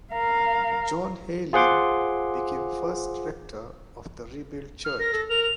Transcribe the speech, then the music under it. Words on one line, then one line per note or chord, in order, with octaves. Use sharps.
John Heylyn became first rector of the rebuilt church.
A#4 F5
F4 G#4 C5 F#5 C6 D6
F6
A#4 A#6
A4
A#4 F7
F7